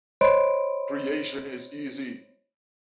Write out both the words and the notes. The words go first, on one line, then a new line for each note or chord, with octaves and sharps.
Creation is easy.
C5 C#5 D#5 B5 C6 D7